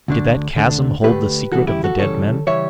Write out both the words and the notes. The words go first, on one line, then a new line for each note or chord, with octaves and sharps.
Did that chasm hold the secret of the dead men?
D2 D3 A3 D4
D2 D3 A3 D4
D2 D3 A3 D4 G4 B4
D2 C#3 E3 G3 F#4 A4
E4 G4
F#4 A4
D2 C#3 E3 G3 A4 C#5
C#3 E3 G3 C#5 E5